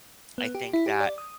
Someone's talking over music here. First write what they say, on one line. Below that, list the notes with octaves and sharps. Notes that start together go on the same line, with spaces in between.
I think that,
B3
G4
E4
G4
D5
D#6